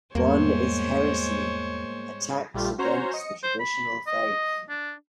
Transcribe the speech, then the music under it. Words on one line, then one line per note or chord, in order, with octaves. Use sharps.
One is heresy, attacks against the traditional Faith.
E2 G#2 G3 G#3 A#3 B3 C5 C#5
A#1 G3 A3 F4 G4
C#4 F#4 C5 C#5 A#5
D#5 C#7
C5
B5
D#5
D4